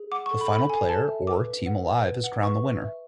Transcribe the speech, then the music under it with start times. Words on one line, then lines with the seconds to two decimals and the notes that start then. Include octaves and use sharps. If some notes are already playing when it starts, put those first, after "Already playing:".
The final player or team alive is crowned the winner.
Already playing: G#4
0.11 F#5 D6
0.26 C#6
0.31 A4
0.41 B5
0.50 A4
0.55 B5
0.69 A4 G#5
0.89 A4 A5
1.08 E5
1.27 B4 D6
1.47 B4
1.66 F#5
1.85 B4
2.04 B4
2.24 F#5
2.43 B4 C#6
2.63 B4
2.82 E5